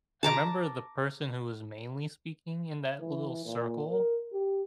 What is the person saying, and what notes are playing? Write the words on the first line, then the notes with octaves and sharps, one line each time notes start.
I remember the person who was mainly speaking in that little circle,
A5 A#5 D6
E3
A#2
A#4
G4